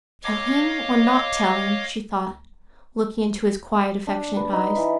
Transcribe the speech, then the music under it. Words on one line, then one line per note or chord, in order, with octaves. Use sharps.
"Tell him or not tell him?" she thought, looking into his quiet, affectionate eyes.
C#5 D#5 F5 D6
D4
B4
D#4
E3